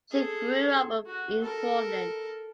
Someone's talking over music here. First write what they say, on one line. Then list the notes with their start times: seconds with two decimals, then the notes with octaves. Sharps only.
She grew up in Portland.
0.11 G#4 A4
1.07 F#4
1.41 A4 A#4